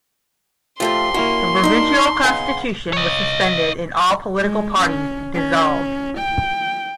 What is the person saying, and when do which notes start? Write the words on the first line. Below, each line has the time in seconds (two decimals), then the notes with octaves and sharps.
The provisional constitution was suspended and all political parties dissolved.
0.80 A#2 F3 A3 F4 G4 C6
1.14 A#3 C#4 E4 F#4
1.63 D#3 D4 D#4
2.24 C#3 B3 G#5
2.93 C#5 D#5
4.41 G#3
4.80 C#4
5.34 C#4
6.18 G5